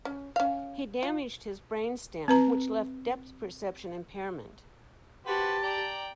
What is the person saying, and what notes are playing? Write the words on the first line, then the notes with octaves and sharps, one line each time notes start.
He damaged his brain stem, which left depth perception impairment.
C#4
C#4 F5
F4
C4 B4 A#5
F#4 G4 B4 C5 A5
D5 G5 A#5